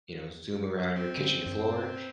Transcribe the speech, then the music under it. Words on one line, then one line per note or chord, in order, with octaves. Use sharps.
you know, zoom around your kitchen floor.
C4
D3
G2